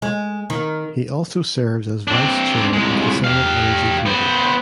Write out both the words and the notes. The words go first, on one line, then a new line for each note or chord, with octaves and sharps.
He also serves as vice chair of the Senate Energy Committee.
G#3
D#3
C4 D4
C2 G#3
G4 F5
B3 C5